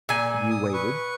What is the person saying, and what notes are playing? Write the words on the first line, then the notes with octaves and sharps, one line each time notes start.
You waited.
A#2 G#5
D#6
B4 C#6